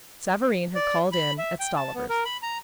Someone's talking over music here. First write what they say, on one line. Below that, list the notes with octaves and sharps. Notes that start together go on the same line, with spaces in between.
Savareen had called in at Stollivers.
D5
B5
E5
G5
A5
B3
A#4
B5
A#5